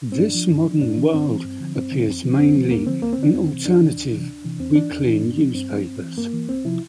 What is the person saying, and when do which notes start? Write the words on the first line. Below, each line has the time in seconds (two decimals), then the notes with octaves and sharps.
"This Modern World" appears mainly in alternative weekly newspapers.
0.12 C4
0.19 G2 D4
0.34 F3
0.50 G2
0.65 F3
0.81 G2 D4
0.97 E3
1.13 G2 C4
1.29 E3
1.44 G2
1.60 D3 F3
1.76 G2 C4
1.92 D3 F3
2.07 F2
2.23 D3 F3
2.39 F2 C4
2.55 D3 F3
2.71 D2 A#3
2.86 D3 F3 C4
3.02 D2 A#3
3.13 C4
3.18 D3 F3 D4
3.34 F2 C4
3.50 C3 E3
3.66 F2 D4
3.81 C3 E3
3.97 D2
4.12 C3 E3
4.28 D2
4.44 C3 E3
4.60 E2 C4
4.75 E3 D4
4.92 E2
5.07 E3
5.23 G2
5.39 F3
5.54 G2 C4
5.71 F3
5.86 G2
6.02 E3
6.17 G2 A#3
6.33 E3
6.49 C2 C4
6.65 C3 F3 E4